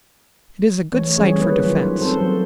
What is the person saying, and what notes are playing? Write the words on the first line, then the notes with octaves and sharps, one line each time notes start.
It is a good site for defense.
E3 A3 C#5
E3 G3 C#4 G#4 C#5
A#3 B4
D#3 F#3 F4
C4 A4 C5
F#3